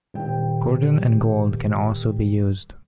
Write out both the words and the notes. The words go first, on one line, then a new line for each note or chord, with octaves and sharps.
Gordon and Gold can also be used.
D#1 G5